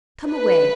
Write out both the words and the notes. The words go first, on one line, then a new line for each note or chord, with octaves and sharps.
Come away.
B4